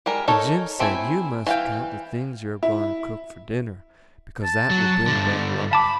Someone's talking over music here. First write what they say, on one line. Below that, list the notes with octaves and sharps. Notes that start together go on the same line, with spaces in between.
And Jim said you mustn't count the things you are going to cook for dinner, because that would bring bad luck.
G3 G#3 A#4
D#4 A4 A#4 C#5
A3 C4 D4 E4 G#5
E3 F5 G5
E4
A5
F#3
G2 D3
F5 A5 B5 D6